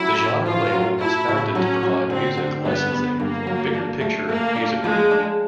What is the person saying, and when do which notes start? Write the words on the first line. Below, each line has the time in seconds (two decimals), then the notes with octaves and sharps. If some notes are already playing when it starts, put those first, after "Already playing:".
The genre label was founded to provide music licensing for Bigger Picture Music Group.
Already playing: F#3 A3 C#4 E4
0.19 A2
0.46 A2 F4
0.73 F#3
1.01 A3 E4
1.28 A2
1.55 F#3 C#4
1.83 F#3
2.10 D3 C4
2.37 D3
2.65 G2 B3
2.92 G2
3.19 G2 A#3
3.47 F#3
3.74 D4
4.01 A3
4.29 A3 A#3
4.56 D4
4.83 F3 G#3
5.11 D4